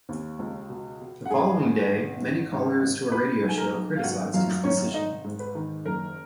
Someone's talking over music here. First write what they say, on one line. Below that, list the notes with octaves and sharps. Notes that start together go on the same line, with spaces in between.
The following day, many callers to a radio show criticised his decision.
D#2
C#2
B2
B2
F#5
G#1 G#4 G#5
G#1
G#1
G#1
G#1
G#1
B2 B4 B5
B1
G#5
A#4 A#5
B1
F5
G#1 F#4 F#5
F#2 F4 F5
G#1 C#4 C#5
G#1 D#4 D#5
G#2
B4
D#3
F#1 A#4